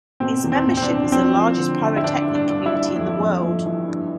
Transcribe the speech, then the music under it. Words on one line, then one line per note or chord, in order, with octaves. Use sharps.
Its membership is the largest pyrotechnic community in the world.
B2 C4
E2
C4
B2
C4
D4
E2
F3 C4
F3
D3
D3
E4
E3 D4
G2
D4
G2
E4
G2
F2
F2
F2
E3
G2